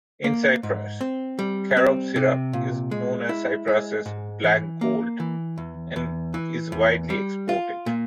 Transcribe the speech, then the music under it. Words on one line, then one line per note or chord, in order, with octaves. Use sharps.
In Cyprus, carob syrup is known as Cyprus's black gold, and is widely exported.
A#3
G#2
C4
G3
C4
C3
A#2
G#3
E4
G#3
G#2
E3
A#3
E3
E2
E2
E3
E2
G3
F4
A#2